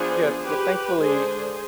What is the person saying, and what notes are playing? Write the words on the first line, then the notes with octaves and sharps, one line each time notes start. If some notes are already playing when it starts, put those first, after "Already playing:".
Yeah, but, thankfully,
Already playing: F3 B3 D4 G#4 C5
G4 B4
D3 G#3 D4 G#4 C5